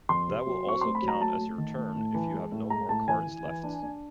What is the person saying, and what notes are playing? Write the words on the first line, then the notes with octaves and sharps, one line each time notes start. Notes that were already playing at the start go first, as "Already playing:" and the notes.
That will also count as your turn if you have no more cards left.
F2 C6
C3
F#3
C4 C#6
A3 C6
B5
F#3
A#5
A3 A5
A3
D#3
A3
A2
E3
G#3
A2
G#3 A#5
A2 A5
E3 G#5
E3
E3
D4
D4